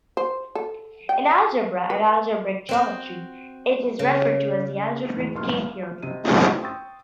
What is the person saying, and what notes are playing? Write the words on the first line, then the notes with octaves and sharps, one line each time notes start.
In algebra and algebraic geometry, it is referred to as algebraic K-theory.
C5
A4
G5
B4
C4 F#4 C5
C#3
E2 A2
B1 A#3 C6 C#6 F6
E5 F5
C3 D#5 D#7
A3 B3 C4 E4 F4 G4
G5 C6 C#6 D#6 E6 A6